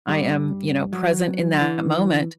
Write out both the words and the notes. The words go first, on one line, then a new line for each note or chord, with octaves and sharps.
I am, you know, present in that moment
G2 G3
F#3
E3